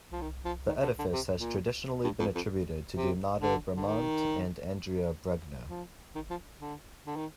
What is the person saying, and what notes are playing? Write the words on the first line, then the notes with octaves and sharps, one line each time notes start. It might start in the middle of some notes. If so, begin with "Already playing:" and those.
The edifice has traditionally been attributed to Donato Bramante and Andrea Bregno.
F3
D#3
F3
D#3
D3
D3
C3
A#2
G2
F2
F2
C3
D3
D3
D#3
F3
D#3
F3
D3
D3
D#3